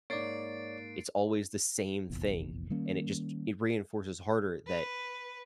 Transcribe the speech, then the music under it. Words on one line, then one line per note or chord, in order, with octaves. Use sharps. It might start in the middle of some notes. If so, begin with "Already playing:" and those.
It's always the same thing, and it just ch it reinforces harder that
G#2 A#3 C#5 D5 A6 C7 D7
F1 A#1 E2
D#3 G3 A#3 C#4
B4